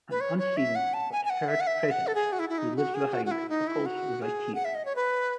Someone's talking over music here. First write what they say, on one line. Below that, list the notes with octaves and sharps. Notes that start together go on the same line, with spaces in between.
An unseen but heard presence who lives behind Buckles' right ear.
B4
C#5
C#5
E5
F#5
A5
G#5
G#5
F#5
E5
F#5
E5
F#5
A4
G#4
F#4
E4
E4
D#4
F#4
G#4
F#4
F#4
E4
D#4
E4
F#4
G#4
F#5
E5
D#5
C#5
B4